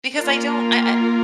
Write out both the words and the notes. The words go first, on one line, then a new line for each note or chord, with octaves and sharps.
because I don't I
A#3 F4 A#4